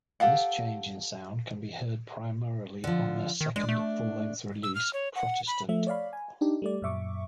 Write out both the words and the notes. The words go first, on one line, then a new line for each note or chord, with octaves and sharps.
This change in sound can be heard primarily on their second full-length release, "Protestant".
G4 A4 F5 F#5
D3 F3
D#3
G#3 D4
A3
E6
F6
C#5
F#5
B5
F3 A3 E5
C#5 D5 F5 B5
G#5
D4 D#4 G4
G3 A3 D5
F#2 A#2 E5 C#6 D6